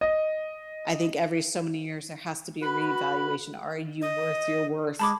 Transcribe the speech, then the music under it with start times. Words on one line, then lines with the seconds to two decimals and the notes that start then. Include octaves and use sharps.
I think every, so many years there has to be a reevaluation Are you worth your worth
0.01 D#5
2.62 F#4 B4 B5
4.02 D#5
4.99 G#3 A5 B5 D6